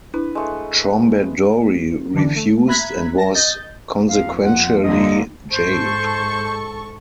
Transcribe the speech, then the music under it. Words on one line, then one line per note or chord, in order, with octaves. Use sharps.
Trombadori refused and was consequentially jailed.
D4 E4 B4
G#3 A3
D3 E3 D4
A3
E5 A#5 B5 F#6 G#6 B6
A5 A#6
D#5 G6 A6
F2 F5
F#5
F2 D3 A#3 D#5
G#2 A4 C5 C#6